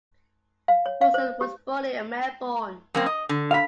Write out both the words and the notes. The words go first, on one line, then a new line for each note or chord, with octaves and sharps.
Poulsen was born in Melbourne.
F5
C#5
F5
C5
G4
F#2 A#3 C4
D#5
D3
F5 B5